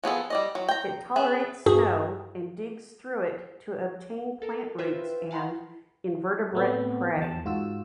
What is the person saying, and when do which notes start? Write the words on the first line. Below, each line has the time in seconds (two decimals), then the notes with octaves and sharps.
It tolerates snow and digs through it to obtain plant roots and invertebrate prey.
0.04 F3 B3 G#4 A4
0.30 G3 D5 D#5
0.55 F#3
0.69 G5 A#5
1.16 B3 G#4 E5
1.66 G2 F#4 G#4
4.42 A4 A#4
4.78 F4 B4 C5 E5 G5
5.31 F5 F#5 A5 B5 C6
6.53 A2 A3 B3 C4
7.17 E2 A5
7.45 G#2 F4 F#4 E6